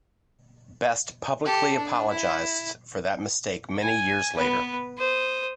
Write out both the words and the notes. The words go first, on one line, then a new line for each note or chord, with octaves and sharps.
Best publicly apologized for that mistake many years later.
G4 A4
D4
E4
G#5
B3 B4
C5 D#6